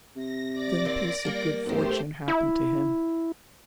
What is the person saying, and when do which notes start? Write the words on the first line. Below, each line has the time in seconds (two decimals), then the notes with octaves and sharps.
Then a piece of good fortune happened to him.
0.16 C3 A#6
0.52 D5 D6 A#6
0.85 D#2 C4 E4
1.25 G3 A#3
1.66 B1 F#2 D#3 A3 G4 C5
2.28 E4